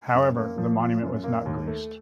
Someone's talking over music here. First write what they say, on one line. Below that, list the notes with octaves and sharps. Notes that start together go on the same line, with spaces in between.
However, the monument was not greased.
F#2
A#3
F3
F4
F#2
A#3
D#2
A3